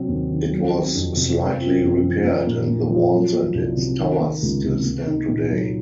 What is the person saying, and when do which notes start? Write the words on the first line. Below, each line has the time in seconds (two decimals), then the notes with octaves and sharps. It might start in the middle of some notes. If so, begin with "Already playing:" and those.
It was slightly repaired and the walls and its towers still stand today.
Already playing: C3 F#3 C4
0.08 D#2
0.30 D#3
0.52 F#3
0.73 C4
0.95 F2
1.17 C3
1.38 C4
1.60 F4
1.81 F#2
2.03 F3
2.25 A#3
2.47 A#2
2.68 A#2
2.90 F3
3.12 F#3
3.33 A#3
3.55 C2
3.77 C3
3.98 D#3
4.20 A#3
4.42 C#2
4.64 C3
4.85 A#3
5.07 D#4
5.29 A#2
5.50 F#3